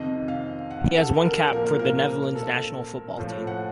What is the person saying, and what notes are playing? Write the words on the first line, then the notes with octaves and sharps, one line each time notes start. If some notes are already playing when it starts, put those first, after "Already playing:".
He has one cap for the Netherlands national football team.
Already playing: F2 C3 D#3 D#5
F5
F#5
A4
A#4
A#2 F3 A#4
A#4
A4
A2 F3
F#5